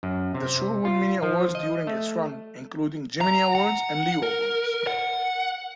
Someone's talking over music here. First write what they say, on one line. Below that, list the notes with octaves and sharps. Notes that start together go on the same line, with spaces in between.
The show won many awards during its run, including Gemini Awards and Leo Awards.
F#2
C3
F4
F3
D#5
A3
A#5
F#5
A#4
F#5